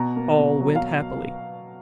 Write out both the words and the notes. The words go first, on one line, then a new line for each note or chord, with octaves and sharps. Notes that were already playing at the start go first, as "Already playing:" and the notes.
All went happily.
Already playing: B2 A#5
A#3
B2
F#3
F5